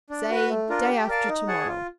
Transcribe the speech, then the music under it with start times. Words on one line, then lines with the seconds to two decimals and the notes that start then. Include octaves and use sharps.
"Say day after to-morrow."
0.10 D4
0.30 F#4 B4
0.49 A3
0.69 D4 F4 A#4
0.88 G4
1.08 A#4 D5 F5 A5
1.28 D#4
1.47 G#4 C#5 F#5 A5
1.67 F4